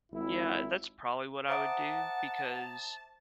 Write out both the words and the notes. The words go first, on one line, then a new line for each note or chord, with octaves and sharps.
Yeah, that's probably what I would do because,
G#1 E4
C5 E5 F#5 A5 A#5 D6 D#6 D7